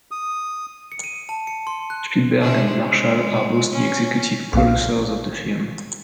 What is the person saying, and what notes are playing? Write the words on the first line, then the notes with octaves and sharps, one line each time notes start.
Spielberg and Marshall are both the executive producers of the film.
D#6
C#7
D#7
A5
C#7
C6
F#6
C3 C#4 D4
G#3
C#4
B1 A#2 F5